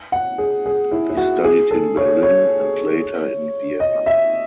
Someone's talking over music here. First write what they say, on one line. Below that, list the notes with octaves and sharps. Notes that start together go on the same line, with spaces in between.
He studied in Berlin, and later in Vienna.
F#5
G#4
G#4
E4
E4
F#4
G#4
A4
C#5
C#5
D#5
E5